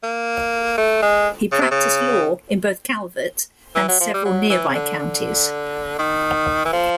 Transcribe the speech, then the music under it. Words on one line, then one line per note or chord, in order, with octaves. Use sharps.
He practiced law in both Calvert and several nearby counties.
A#3
A3
G#3
C#3
C3
C#3
E3
F#3
F3
G3
F#3
E3
C#3
D3
D3
D#3
E3
F3